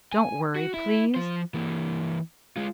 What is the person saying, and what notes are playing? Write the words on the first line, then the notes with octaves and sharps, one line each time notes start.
Don't worry, please.
G#5
F#4
E4
F3 C5
E3 A#3
G#3 F4